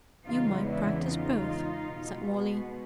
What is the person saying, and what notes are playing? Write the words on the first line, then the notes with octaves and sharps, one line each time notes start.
"You might practise both," said Wally.
E2 C#3 E3 G#3 B3 D#4 F4
D4 E4
D#4 F4
B2 G#3 B3